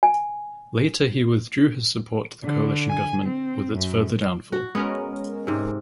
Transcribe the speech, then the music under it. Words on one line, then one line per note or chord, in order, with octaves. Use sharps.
Later he withdrew his support to the coalition government with its further downfall.
G#5
D3
G#5
C4
F#2
F#4
G#3 B3 C#4 A#4
G#2 C3